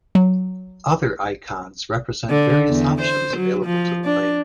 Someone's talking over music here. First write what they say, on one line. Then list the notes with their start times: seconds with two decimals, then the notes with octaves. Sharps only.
Other icons represent various options available to the player.
0.15 F#3
2.30 D3
2.68 E2
3.01 C5
3.37 F#3
3.66 F3
4.04 D4